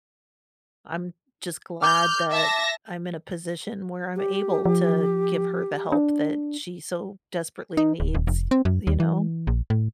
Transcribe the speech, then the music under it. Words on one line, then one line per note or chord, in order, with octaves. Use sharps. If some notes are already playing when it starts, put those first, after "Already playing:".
I'm just glad that I'm in a position where I'm able to give her the help that she so desperately needs, y you know?
D6 F6 G6
E5 A5 A#6
G4
F3
D4
D#4
D1
D#1
F1
C4
F#2
D#2
E3
A#1
A2